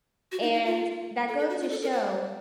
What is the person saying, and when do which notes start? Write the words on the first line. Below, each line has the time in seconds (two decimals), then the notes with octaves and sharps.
and that goes to show,
0.32 F#4
0.43 D#4
0.54 D#4
0.65 F4
1.28 A4
1.38 A4
1.49 F#4
1.61 F4
1.70 A4
1.82 A#4
1.93 C5